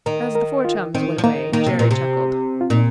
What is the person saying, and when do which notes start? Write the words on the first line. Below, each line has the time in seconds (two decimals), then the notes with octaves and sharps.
As the four chums went away, Jerry chuckled.
0.06 D#3 A#4
0.35 A#4
0.65 F4
0.95 D#3 C4
1.18 F3
1.24 D#3 A#3
1.53 D#3 A#3
1.66 C3
1.79 A#2
1.91 C3
2.61 F4
2.70 A#2 D#4